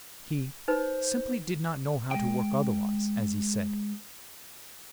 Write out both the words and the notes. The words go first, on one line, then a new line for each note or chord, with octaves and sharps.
He "simply did not know how to work otherwise," as he said.
D#4 B4 C5
G#3 G5